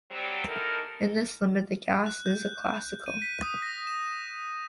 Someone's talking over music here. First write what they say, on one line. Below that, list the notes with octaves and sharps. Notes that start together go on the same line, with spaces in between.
In this limit, the gas is classical.
F#3 G3 C4
E2 D#4 E4 A4 A#4
F#6
G6
D#7
B6
D#6
A#6
E7